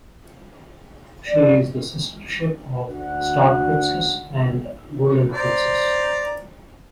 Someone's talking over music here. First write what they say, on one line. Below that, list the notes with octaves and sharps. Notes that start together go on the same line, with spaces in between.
She is the sister ship of "Star Princess" and "Golden Princess".
D5
D2 F#5
C5 D5 A#5